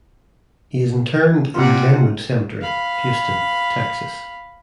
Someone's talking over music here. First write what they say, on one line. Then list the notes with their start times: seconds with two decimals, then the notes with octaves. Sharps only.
He is interred in Glenwood Cemetery, Houston, Texas.
1.54 C3 G3 F4 F#5
2.61 F5 B5